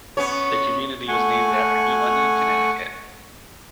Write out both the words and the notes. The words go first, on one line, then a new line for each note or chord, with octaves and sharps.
The community was named after New London, Connecticut.
B3 C#4 C#5
A3 F#5 G#5 C#6